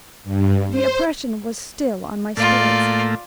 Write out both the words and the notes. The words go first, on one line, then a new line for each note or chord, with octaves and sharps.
The oppression was still on my spirits.
G2
C5
A2 A3 A#3 F4 D5